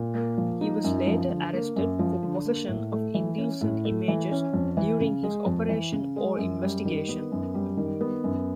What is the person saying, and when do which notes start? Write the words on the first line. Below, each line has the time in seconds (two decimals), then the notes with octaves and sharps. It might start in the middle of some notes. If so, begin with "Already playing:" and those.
He was later arrested for possession of indecent images during his Operation Ore investigation.
Already playing: A#2
0.14 A#3
0.38 F3
0.61 D#4
0.84 F#2
1.07 F3
1.30 D3
1.53 A#3
1.76 F#2
1.99 F3
2.23 D3
2.45 A#3
2.68 A2
2.92 A3
3.14 E3
3.38 C#4
3.61 A2
3.85 A3
4.08 E3
4.31 C#4
4.53 F2
4.77 E3
5.00 C#3
5.23 G#3
5.46 F2
5.69 E3
5.92 C#3
6.16 G#3
6.38 F#2
6.62 G3
6.85 D#3
7.08 B3
7.32 F#2
7.54 G3
7.77 D#3
8.01 B3
8.24 F#2